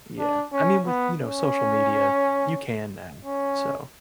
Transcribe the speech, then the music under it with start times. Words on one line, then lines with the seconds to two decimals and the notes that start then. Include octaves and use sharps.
Yeah. I mean, with, you know, social media, you can now, so
0.18 D4
0.53 C#4
0.87 B3
1.20 C#4
3.25 C#4